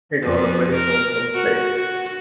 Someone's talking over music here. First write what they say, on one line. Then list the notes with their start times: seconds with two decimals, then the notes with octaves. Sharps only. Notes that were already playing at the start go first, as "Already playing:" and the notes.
It was a very lonesome place.
0.24 F2
0.75 A#4
1.35 F#4
1.77 F#4